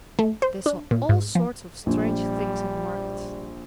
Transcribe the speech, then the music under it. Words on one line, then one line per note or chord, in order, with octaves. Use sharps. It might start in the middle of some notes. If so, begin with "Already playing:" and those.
They saw all sorts of strange things in the market.
A3
C5
D4
A#2
G#2
F3
A#1 G3